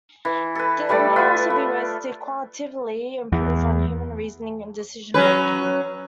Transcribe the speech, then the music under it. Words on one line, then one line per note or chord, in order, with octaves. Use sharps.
There may also be ways to "qualitatively" improve on human reasoning and decision-making.
E3
A4 B4
G3 A3 B4 D5
F4 B4 E5
A3
E2
F#3 C#4 B4